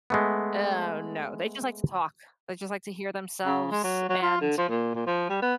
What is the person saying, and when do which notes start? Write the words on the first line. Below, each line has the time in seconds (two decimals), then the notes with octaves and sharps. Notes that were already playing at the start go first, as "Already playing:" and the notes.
Oh, no, they just like to talk. They just like to hear themselves. And
0.10 G#3 A3 B3
3.46 C#3
3.71 G#3
3.83 F#3
4.09 F#3
4.22 F4
4.41 D3
4.58 F3
4.69 A#2
4.95 A#2
5.07 F3
5.29 G3
5.42 B3